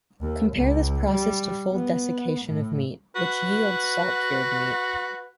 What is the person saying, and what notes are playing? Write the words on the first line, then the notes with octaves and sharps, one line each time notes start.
Compare this process to full desiccation of meat, which yields salt-cured meat.
D#2
C#2
G3
B3
A2
F#4 B4